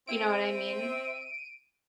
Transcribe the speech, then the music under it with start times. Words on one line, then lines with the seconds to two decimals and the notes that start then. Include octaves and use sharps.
you know what? I mean,
0.07 C4 E5 D7 D#7